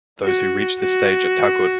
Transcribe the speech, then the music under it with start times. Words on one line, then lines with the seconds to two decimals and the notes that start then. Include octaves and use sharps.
Those who reach this stage are taghut.
0.23 F#4
0.81 F#4